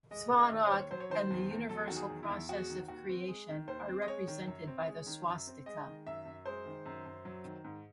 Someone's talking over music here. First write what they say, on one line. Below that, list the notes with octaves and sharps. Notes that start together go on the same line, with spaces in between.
Svarog and the universal process of creation are represented by the "swastika".
G#3 D#5
C#3
D#5
D#2
C#5
D#2 C5
C#5
F#3 C5
C#5
D#3 C5
E2
E2
F#3 A4
D#3 F#4
G#4
E2
E4
E2
G#3 F#4
D#3
D#2 F#4
C4
G#3
D#3
D#2 C5
C4
D#5
G#3 C#5
D#3
F#2
C4
G#3
D#3
F#2
C4
G#3 D#5
D#3
F#2 E5
F#2
G#3 C5
D#3
F#2
F#2
F#3
D#3
G#2